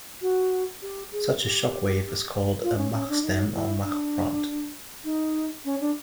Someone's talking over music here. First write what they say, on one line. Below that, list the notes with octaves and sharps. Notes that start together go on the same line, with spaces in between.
Such a shock wave is called a Mach stem or Mach front.
F#4
G4
G#4
G4
F4
C#4
C#4
D4
D#4
E4
D4
D#4
C#4
D4